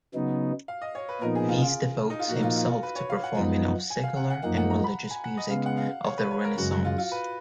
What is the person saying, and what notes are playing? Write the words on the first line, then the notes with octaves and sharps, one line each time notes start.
Visse devotes himself to performing of secular and religious music of the Renaissance.
C#3 F#3 B3 D#4
F5
D#5
C#5
B4
A#2 F3 B3 D#4 A#4
G#4
F4
F4
D#4
F4
A#2 F3 A#3 D#4 F#4
F4
F4
F4
B4
C#5
F5
F#5
F#2 F3 B3 D#4
G#5
F5
F#5
F#5
F#2 F3 A#3 D#4 F#5
F#5
A#5
B5
G#5
F#5
D#5
C#3 G#3 B3 F5
F#5
F5
C#5
B4
C#5
A#4
F#2 C#3 G#3 F#4
F#4
F4
F4
B4